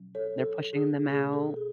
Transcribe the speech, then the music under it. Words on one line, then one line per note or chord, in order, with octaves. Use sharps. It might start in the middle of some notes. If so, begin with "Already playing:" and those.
They're pushing them out.
Already playing: B2 F#3 C#4
A4 C#5
A4
G#4
B2 A3 C#4 G#4
A4
G#4